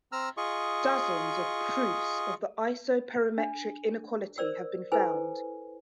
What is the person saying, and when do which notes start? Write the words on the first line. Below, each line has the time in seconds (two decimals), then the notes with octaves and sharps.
Dozens of proofs of the isoperimetric inequality have been found.
0.12 C4 A#5 E6 F6
0.37 F4 G#4 D#5 C#6
3.38 D4
4.38 A#4 C5 D5 E6
4.92 E4 A4 B4 C5 G#5